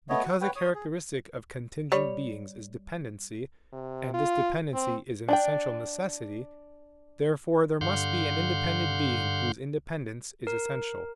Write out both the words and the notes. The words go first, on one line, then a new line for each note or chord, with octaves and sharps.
Because a characteristic of contingent beings is dependency, and this dependency is an essential necessity, therefore, there must be an independent being whose independence is essential.
A3 B3 C#5 D#5
F#4 C#6
B4 C#5 F#5 G5
C#5 D#6
G#4
G3 C#5
C3
F4
C4
D4 D5 G5
G2 D3 F5 F#5 C6 G6
A#4